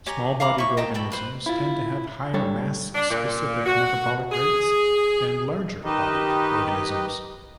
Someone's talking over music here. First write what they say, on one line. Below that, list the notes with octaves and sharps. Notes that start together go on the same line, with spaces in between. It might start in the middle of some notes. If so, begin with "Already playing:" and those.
Small-bodied organisms tend to have higher mass-specific metabolic rates than larger-bodied organisms.
G4 C#5 G#5 A#5
F5 A#5 B5 D6
E4 C#6
D#5 G5 A5 A#5
A4 G5 B5
B4 C5
E4 F4
G3 D4 A4 C#5
D4
A#2
F#4
G#4
D#3 G4 B4 D#5